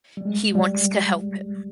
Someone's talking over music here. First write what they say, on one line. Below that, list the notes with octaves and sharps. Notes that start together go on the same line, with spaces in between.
He wants to help him.
G3
G#3
G3